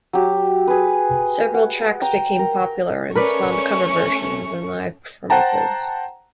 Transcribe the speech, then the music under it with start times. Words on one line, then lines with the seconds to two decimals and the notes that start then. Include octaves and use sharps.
Several tracks became popular and spawned cover versions and live performances.
0.13 F#3 G4
0.67 G#4 B4
1.54 F#5
2.02 G5 A#5
2.39 A#4
3.16 A3 C#4 A#4 B4 D5 C#6
5.30 C5 F#5 G5 A5 A#5